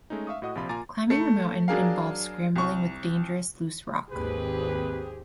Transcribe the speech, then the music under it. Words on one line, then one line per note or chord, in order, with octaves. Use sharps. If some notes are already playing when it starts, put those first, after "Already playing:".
Climbing the mountain involves scrambling with dangerous loose rock.
G#3 A3 C#4 D#4
E5 F5 C#6 D#6
A2 F#4 D#5 F#5 D#6
A#1 C3 F3 F4 B5
A#2 F4 G#5 A#5 D6 A6
A3 C#7
F#3 D4 G#4 A#4 F5
C2 C#6
G#1 D#2 C4 G4 G#4 B4